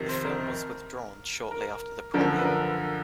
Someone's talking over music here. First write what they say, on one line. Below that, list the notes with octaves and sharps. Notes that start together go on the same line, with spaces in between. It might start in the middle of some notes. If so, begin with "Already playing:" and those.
The film was withdrawn shortly after the premiere.
Already playing: F2 C3 D#3
C5
A#4
A#4
F#2 D3 F3 A#4
B4
A#4